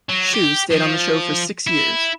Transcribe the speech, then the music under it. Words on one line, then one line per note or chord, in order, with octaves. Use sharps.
Shue stayed on the show for six years.
F#3
G4
F3
E4